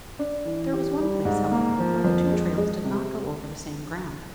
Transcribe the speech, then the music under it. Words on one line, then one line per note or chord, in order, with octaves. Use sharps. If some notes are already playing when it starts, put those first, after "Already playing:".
There was one place, however, where the two trails did not go over the same ground.
D4
E3
G4
G3
G#2
A#3
F3
F2
G#3
G#3
C3